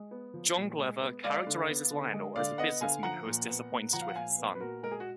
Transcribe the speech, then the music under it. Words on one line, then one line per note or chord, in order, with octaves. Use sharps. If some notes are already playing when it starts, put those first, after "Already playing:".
John Glover characterizes Lionel as a businessman who is disappointed with his son.
Already playing: G#3
B3
F3
A#2
G#3
B3
G#3 D5 F5
D3
B3
D3
G#3
D3 D5 F5
B3 D#5 F#5
D3 F5 G#5
F3 F#5 A#5
A#2
B3
A#2
F3 F#5 A#5
F5
F#5
A#2 F5 G#5
B3
B4
A#2 F#4 A#4
G#3 A#4
G#4
F#4